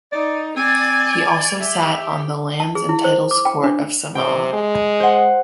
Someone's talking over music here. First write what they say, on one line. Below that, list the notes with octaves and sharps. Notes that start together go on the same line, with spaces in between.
He has also sat on the Lands and Titles Court of Samoa.
D#4 D5
C4 D5 G#5
G4 E5
A5
G#4
E4
C5
D6
G5
D4
C3 G5
G#3
C5 F#5